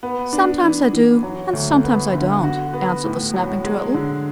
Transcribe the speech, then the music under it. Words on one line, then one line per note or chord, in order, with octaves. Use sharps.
"Sometimes I do and sometimes I don't," answered the Snapping Turtle.
B3
D4
E3
E3
F#3
D2
B3
D3
F#4
B3
A2
F#3
G#3
D3